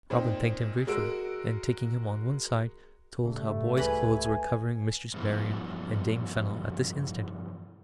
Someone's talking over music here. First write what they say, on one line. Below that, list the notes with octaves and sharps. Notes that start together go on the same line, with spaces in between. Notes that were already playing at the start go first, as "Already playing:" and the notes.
Robin thanked him gratefully, and, taking him on one side, told how boy's clothes were covering Mistress Marian and Dame Fennel at this instant.
A#2 C4 D#4
G#3 F#4 A#4 E6 D7
A2 C#3 G3 A3
C#2 E3 G#4 B4 G#5
G2 B2 E3 F3